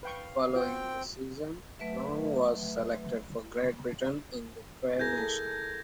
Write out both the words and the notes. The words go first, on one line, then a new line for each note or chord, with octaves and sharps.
Following the season, Long was selected for Great Britain in the Tri nations.
B4 F5 G5 C#6
C4 F4 F#4 C5 G5
F#3 A3 B4 E5
E4 G#4 A#4 G6 G#6 A#6
A4